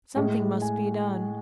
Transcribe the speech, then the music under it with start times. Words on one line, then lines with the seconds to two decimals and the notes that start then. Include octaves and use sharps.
Something must be done.
0.15 A2 G#3
0.62 G#5